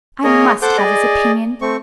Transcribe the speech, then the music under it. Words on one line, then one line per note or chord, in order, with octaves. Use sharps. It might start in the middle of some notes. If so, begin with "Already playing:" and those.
I must have his opinion.
A#3 G#4 A#4 C#5 D#5
A4 C5 F#5 D6 G6
G#4 D5 D#5
A3 C4 C#6